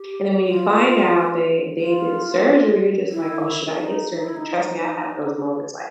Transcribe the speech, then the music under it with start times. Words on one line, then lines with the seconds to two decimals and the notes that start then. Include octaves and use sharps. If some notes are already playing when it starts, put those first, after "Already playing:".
And then, when you find out that they did surgery, you're just like, "Oh, should I get surgery?" Trust me, I've had those moments, like,
Already playing: G4
0.46 F4
1.79 F4
3.12 E4
3.77 D#4
4.11 D#4
4.24 E4
4.37 D#4